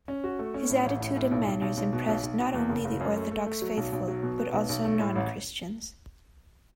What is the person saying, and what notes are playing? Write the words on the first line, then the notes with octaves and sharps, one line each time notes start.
His attitude and manners impressed not only the Orthodox faithful but also non-Christians.
C#4
F#4
A3
C#4
A2
A1
A2
A2
B1
B1
B1
B1
B2
B1
B1
B2
E2
F#1
F#1
F#2
A3
A3
A3
F#3
B1
B1
F#3
B2
B3
B1
B1
A3
A2
A1